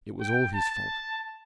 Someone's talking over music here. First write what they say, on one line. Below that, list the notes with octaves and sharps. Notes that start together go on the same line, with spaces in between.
It was all his fault.
G5
A5